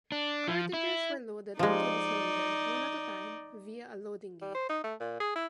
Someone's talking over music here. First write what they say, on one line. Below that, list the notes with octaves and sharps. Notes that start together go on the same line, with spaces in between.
Cartridges were loaded into the cylinder one at a time via a loading gate.
D4
F3
E4
F3 G#3 D#4 D5
G3
C5
D#4
A3
A#2
G#4
E4